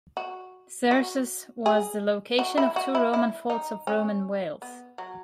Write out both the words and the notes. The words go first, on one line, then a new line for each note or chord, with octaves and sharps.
Caersws was the location of two Roman forts of Roman Wales.
F#4
F#4
G#4
F#4
E4
F#4
E4
E4
D#4
C#4
B3
F#3